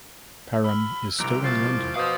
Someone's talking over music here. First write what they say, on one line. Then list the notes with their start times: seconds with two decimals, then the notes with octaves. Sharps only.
Param is still in London.
0.64 B5 E6 F6
1.20 C2 F2 A#5 D6 D7
1.44 F3 C#6 A6 C7
1.96 B2 C5 F5 D#6